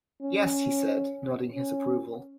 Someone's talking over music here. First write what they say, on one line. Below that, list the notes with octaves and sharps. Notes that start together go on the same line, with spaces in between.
"Yes," he said, nodding his approval.
C#4
C#4